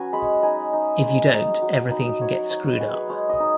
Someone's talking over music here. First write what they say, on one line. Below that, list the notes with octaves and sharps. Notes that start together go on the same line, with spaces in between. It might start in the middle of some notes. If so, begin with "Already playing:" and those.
If you don't, everything can get screwed up.
Already playing: F#3 C#4 F#4 B4 G#5
G#3 B5
D#4 G#5
D#4
G#3
D#4
F#3
D#4 B5
F#3 C#5
D#4 C#5
C#5
B4
F#3 G#4
B4
G#3 C#5
D#5
D#4